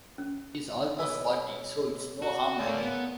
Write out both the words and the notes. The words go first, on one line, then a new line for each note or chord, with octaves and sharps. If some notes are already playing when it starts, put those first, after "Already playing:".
He's almost forty, so it's no harm, Lily.
C#4
B1 E4 B4
F#4
C#3 A3 F4 A#4 D5
B3